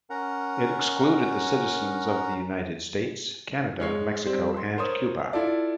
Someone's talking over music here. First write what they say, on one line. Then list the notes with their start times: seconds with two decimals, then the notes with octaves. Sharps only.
It excluded the citizens of the United States, Canada, Mexico and Cuba.
0.10 C#4 A#4 F#5 A#5
3.80 G#3 C#5 C7
4.26 G3 C4
4.57 C6
4.77 A#4 C5 C#5 C6 D#6
5.33 E4 F4 A4 D5